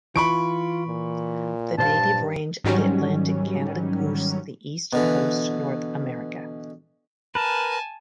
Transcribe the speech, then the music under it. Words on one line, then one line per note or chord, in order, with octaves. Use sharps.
The native range of the Atlantic Canada goose the east coast North America.
E3 F4 B5 C#6 D7
A#2
G2 A#2 C5 F5 A5
G#2 D#3 F#3 G3 C#4
B2 D3 E3
A#4 B4 G#5 A5